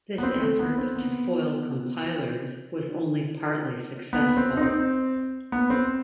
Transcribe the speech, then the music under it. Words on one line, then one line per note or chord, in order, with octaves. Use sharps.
This effort to foil compilers was only partly successful.
B3
C4
A3
B3
C4
B3
B3
C4
D#4
C4
B3
C4